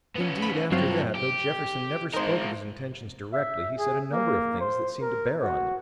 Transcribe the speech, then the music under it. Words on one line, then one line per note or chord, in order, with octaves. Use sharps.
Indeed, after that, though Jefferson never spoke of his intentions directly, he said a number of things that seemed to bear on them.
B3 C#4
B5
G2 F#3 C4 F4 C#5
G4
G#3 D#4 A#4 C5
E5
G#4
A#3
C5
A#4
F#4